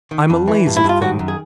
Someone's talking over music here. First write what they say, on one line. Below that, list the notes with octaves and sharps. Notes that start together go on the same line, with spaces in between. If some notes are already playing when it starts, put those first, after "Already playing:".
I'm a lazy thing.
D#3
F2
E3
G2
E4
G2 F4
D#3 F#4
F#2
G#4